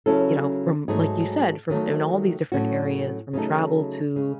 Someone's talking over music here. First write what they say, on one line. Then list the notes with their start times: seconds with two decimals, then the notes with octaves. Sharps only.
you know, from like you said, from in all these different areas, from travel to,
0.06 C#3 F#3 C#4 E4 A4
0.88 G#2 F#3 A3 D#4 G#4
1.70 D#3 F#3 A3
2.52 A2 F#3 C#4 F#4
3.33 C#3 F#3 A3 D#4 A4
4.16 C#3 G#3